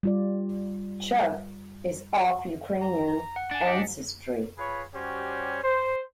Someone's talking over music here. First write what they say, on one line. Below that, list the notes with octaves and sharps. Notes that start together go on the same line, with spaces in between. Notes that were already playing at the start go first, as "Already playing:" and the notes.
"Chub" is of Ukrainian ancestry.
G3 F4 D5
A#5
F#5
D4 G#5 A6
G4 D#5 G5 B6 C#7
F4 G#4 B4 C#5 B5
G3 C#4 F#4 G4 C5 C#5
C5